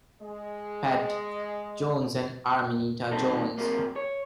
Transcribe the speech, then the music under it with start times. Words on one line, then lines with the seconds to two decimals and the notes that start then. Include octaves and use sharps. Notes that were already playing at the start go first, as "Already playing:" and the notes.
"Pat" Jones and Arminta Jones.
0.21 G#3 D#5
3.11 G2 D#3 C4 D#4 A4
3.58 C3 F#3 A#3
3.96 C#5